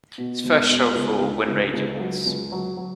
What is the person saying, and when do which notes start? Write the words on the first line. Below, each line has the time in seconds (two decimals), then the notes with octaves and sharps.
His first show for When Radio Was!
0.18 B2
0.44 E1
0.69 B2
0.95 C#2
1.21 C#2
1.48 C#2
1.73 C#2
1.99 F#3
2.26 C#2
2.52 F#3
2.77 F#3